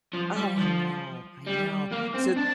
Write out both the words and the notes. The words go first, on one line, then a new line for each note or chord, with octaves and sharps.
Oh, I know, I know, so
F3
G3
F3
G3
A#3
C4
D4